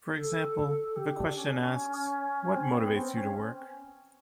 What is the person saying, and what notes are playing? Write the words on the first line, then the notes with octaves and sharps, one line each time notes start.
For example, if a question asks, What motivates you to work?
A4
G4
D4
C#4
C#4
C4
B3
C4
C#4